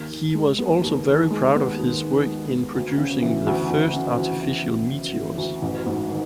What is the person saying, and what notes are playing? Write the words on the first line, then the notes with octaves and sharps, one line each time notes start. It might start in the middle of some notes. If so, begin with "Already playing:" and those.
He was also very proud of his work in producing the first artificial meteors.
Already playing: D#2
D#3
G#3
B3
D#2
D#3
G#3
B3
D#2
D#3
G#3
B3
D2
C#3
E3
D2
D2
C#3
E3
D2
D2
C#3
E3
D2
A1
G#2
D#3